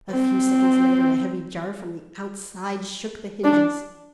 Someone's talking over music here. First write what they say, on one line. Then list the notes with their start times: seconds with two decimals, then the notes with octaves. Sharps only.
A few seconds later a heavy jar from the outside shook the hinges.
0.12 C4
3.44 D4